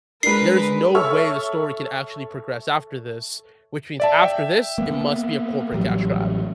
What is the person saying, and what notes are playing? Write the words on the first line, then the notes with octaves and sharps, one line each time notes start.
"There's no way the story can actually progress after this, which means after this, it must be a corporate cash grab."
G#3 D4 A#4 B4 C7
A4 C#5 E5 C#6 E6 F6
D5 E5 A5
E5 G5
A#3 B3
A1 F#3 G3